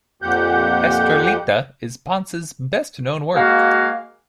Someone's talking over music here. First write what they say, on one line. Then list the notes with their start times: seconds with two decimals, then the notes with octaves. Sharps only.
"Estrellita" is Ponce's best known work.
0.22 F2 A#2 G4 F#5 G6
3.35 G#3 A#3 F#4 F5